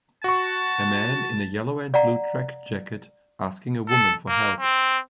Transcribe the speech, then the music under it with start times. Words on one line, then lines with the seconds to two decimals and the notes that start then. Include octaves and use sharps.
A man in a yellow and blue track jacket asking a woman for help.
0.24 F#4 A5 C#6
1.94 D5 F5 F#5 A#5
3.90 A4
4.28 A#3
4.60 C4